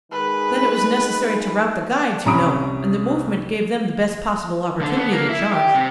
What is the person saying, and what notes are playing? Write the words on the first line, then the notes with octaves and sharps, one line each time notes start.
"Then it was necessary to rout the guides, you know, and the movement gave them the best possible opportunity to charge."
D#3 G#3 G#4 B4
C2 C#4 A#5 B5 D#6 D7
D3 A4
B3
A#3
E4
G4
C3